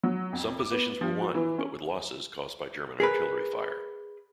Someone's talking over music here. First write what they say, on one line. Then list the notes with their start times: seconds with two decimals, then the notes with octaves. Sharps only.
Some positions were won, but with losses caused by German artillery fire.
0.03 F#3
0.33 F2
0.60 D6
0.71 B3
1.01 F3
1.21 F#4
1.35 E3
1.58 C#4
3.00 G#4 A#4 B4